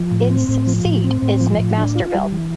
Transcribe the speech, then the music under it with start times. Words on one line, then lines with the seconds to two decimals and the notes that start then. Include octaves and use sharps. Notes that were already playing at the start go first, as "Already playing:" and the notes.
Its seat is McMasterville.
Already playing: F3
0.12 A2
0.30 C4
0.49 A2
0.67 F3
0.85 A2
1.04 C4
1.22 A2
1.41 F3
1.59 A2
1.78 D4
1.95 F4
2.14 G3
2.32 E3